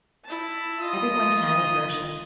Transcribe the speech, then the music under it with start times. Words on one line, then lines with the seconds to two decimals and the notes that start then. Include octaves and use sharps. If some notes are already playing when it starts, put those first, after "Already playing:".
Everyone had a version.
0.25 E4 A5
0.80 F4 D#5 D#6